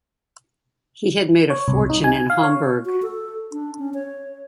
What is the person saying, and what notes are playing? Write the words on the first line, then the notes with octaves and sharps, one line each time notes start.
He had made a fortune in Hamburg.
C#5
C2
D#4
G#5
F5
C#5
F#4
A4
D4
C#4
C#5